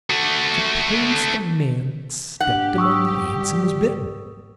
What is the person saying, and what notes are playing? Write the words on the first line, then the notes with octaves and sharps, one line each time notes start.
Suppose the man stepped among the ants and was bitten.
A3 F#4
G#1 D4 G4 F#5
C#6 D#6 E6
G3